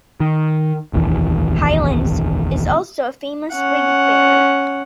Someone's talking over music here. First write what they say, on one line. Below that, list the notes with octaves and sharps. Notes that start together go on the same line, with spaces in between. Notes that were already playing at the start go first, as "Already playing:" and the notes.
Heylens is also a famous wig bearer.
D#3
F1 A#1 D#2 E3
C#4 F#5